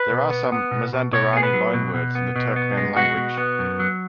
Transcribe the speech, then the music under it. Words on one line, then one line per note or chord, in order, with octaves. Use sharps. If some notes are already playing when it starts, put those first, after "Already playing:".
There are some Mazanderani loanwords in the Turkmen language.
Already playing: B4
B2
B3
B3
B2
B2
B2 C#5
B3 G#4
B4
F#3
B2
B2
B3
B2
B3
G#3
B2 F#4
B2
B3
F#2
F#3